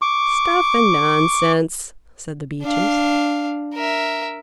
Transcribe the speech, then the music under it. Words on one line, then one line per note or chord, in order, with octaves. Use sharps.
"Stuff and nonsense!" said the Beeches.
C#6 D6
D4 F5
A#4 E5